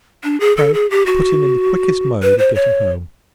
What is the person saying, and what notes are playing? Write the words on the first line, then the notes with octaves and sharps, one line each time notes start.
Pray, put him in the quickest mode of getting home.
D4
G#4
A4
G#4
G4
F#4
B4
C5
C#5